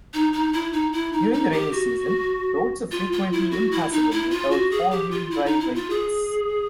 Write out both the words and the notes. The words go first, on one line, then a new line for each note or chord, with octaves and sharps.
During the rainy season, roads are frequently impassable without four-wheel drive vehicles.
D#4
D#4
E4
D#4
E4
D#4
D#4
G4
F#4
F4
F4
E4
F#4
E4
D#4
E4
F4
F#4
G#4
G4
F4
E4
D#4
E4
F4
G#4